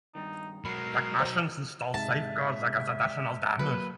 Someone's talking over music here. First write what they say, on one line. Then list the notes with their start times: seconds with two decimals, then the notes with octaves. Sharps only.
Technicians installed safeguards against additional damage.
0.15 G2 D#3 D#4
0.65 G#2 B2 F#3 A#4 B5 C7
1.20 C5
1.94 G#2 C3 G#3 E5 A5
3.59 F#3 A3 A#3 B4